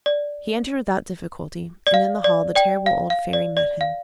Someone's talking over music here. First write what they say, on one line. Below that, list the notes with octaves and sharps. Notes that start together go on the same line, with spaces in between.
He entered without difficulty, and in the hall the terrible old Fairy met him.
D5
D5
F5
D5
D5 G5
F5
F5
D5
D5
F5